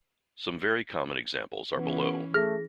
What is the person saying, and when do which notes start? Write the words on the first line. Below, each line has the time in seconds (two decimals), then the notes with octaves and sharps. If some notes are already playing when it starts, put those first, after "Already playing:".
Some very common examples are below.
1.75 E3 B3 C#4
2.34 A3 G#4 F6 A#6